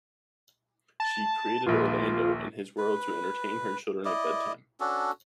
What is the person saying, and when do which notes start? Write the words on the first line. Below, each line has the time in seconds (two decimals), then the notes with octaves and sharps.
She created Orlando and his world to entertain her children at bedtime.
1.00 A5
1.66 D#1 A#1 F4 B4
2.78 B4
4.05 E4 D5 D#5
4.80 C#4 D4 F#4 A4